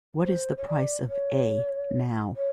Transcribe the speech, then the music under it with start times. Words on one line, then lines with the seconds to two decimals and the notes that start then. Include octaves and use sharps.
What is the price of "A" now?
0.24 C5
0.57 C#5
0.66 D5
1.08 C#5
2.35 C#5